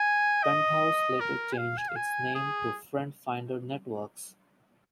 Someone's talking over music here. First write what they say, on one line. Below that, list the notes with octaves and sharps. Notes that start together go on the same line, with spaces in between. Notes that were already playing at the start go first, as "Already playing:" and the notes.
Penthouse later changed its name to FriendFinder Networks.
Already playing: G#5
D#5
A#4
G#5
F5
G#5
F5
G#5
G#4